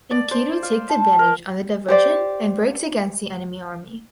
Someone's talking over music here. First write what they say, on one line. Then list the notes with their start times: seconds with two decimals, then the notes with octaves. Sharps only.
Enkidu takes advantage on the diversion and breaks against the enemy army.
0.11 D5
0.31 C5
0.63 F5
0.90 A5
1.19 A#4
1.88 G4 C5 D5